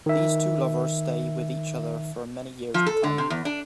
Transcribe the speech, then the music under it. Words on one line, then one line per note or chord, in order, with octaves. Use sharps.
These two lovers stay with each other for many years to come.
D#3 E5
F3
A4
D3
C3
E2
D4